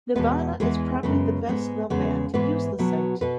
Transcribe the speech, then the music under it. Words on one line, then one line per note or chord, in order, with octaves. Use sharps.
Nirvana is probably the best known band to use the site.
E2 B2 G#3 B3 B4
E2 E3 G#3 B3 G#4
F#2 C#3 G#3 B3
G#2 G#3 B3
E2 C#3 G#3 B3 G#4
G#2 E3 G#3 B3 B4
B2 F#3 B3
B2 B3 B4